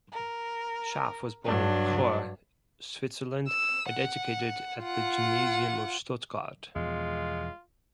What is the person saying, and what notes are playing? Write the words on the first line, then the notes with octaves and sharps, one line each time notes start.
Schaff was born in Chur, Switzerland, and educated at the gymnasium of Stuttgart.
A#4
G2 F#3 D4
E6
F#5
F4 F#5
E2 B2 F3 G#3 F4